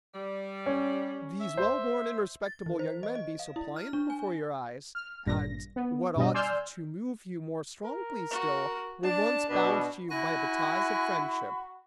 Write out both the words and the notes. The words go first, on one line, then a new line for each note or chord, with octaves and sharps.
These well-born and respectable young men be suppliant before your eyes and, what ought to move you more strongly still, were once bound to you by the ties of friendship.
G3
C#4
E5
C5
A6
E3
C5
D#5
D#5
F5
E4
F6
D4
G#5
F6
G#1 G2 A#2 A#6
B3
G2 B2 G3 D#5
D5 G#5 C6 E6 F6 G6
A#4
F#4
D4 A5
B2 D4 B4
E4 F#4 G#5 B5 F#6 A#6